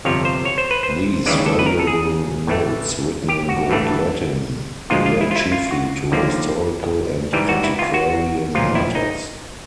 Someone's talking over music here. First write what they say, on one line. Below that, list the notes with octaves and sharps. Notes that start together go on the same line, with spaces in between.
These valuable notes, written in good Latin, relate chiefly to historical and antiquarian matters.
G1 F2 C3 F3 C#5
C5
C#5
C5
B4
C5
D#2 C#3 E3 G#3 D5
A4
B4
A#4
A4
G#4
A2 E3 A3
G4
F#4
A1 G2 E3 A3
A#2 F3 G#3 F4
F4
E4
F4
E4
F4
F#4
D#2 D3 F3 A#3
G#2 E3 G3
F#4
E4
F4
F#4
B1 A#2 F3 F4
E4
D#4